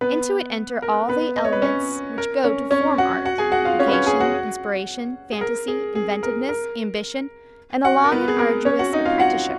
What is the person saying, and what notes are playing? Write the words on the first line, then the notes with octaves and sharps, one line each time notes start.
Into it enter all the elements which go to form art--vocation, inspiration, fantasy, inventiveness, ambition, and a long and arduous apprenticeship to the science.
B3 B4
A#4
B3 B4
D#5
C#5
B4
C#4 C#5
A#4
C#4 C#5
C#4 C#5
F#4 F#5
F#4 F#5
G#4 G#5
F#4 F#5
F4 F5
C#4 C#5
B4
C#4 C#5
G#4 G#5
F#4 F#5
G#4
A#4
G#4
G#4
A#4
A#4
F#4 F#5
A#4
B3 B4
G#4
A#4
C#4 C#5
F#4 F#5
D#4 D#5
F4 F5
F#4 F#5